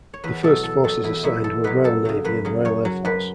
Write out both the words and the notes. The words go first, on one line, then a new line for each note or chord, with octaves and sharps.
The first forces assigned were Royal Navy and Royal Air Force.
C#5
E2 B4
B2 F#3 A4
E2 A4
B2 F#3 A4
E2 E4
B2 F#3 E4
E2 A4
B2 F#3 B4
F#2 A4
C#3 F#3
F#2 B4
C#3 F#3
F#2 C#5
F#3
F#2 B4